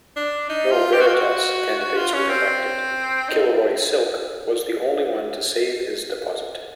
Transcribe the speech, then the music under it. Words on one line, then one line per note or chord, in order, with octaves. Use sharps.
No Veritas candidates were elected; Kilroy-Silk was the only one to save his deposit.
D4
D#4
F4
G4
F#4
F4
F#4
F#4
F4
C#4
C4
D#4